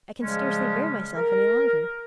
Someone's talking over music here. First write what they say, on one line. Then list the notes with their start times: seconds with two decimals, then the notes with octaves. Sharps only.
I can scarcely bear myself any longer.
0.23 C#3 F3 G3 G#3 C#4
1.16 A#4